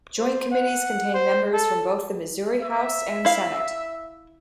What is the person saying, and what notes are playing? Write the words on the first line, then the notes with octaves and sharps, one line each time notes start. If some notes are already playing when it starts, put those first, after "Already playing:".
Joint Committees contain members from both the Missouri House and Senate.
C5
F#5
C5
A4
E5
E4 F5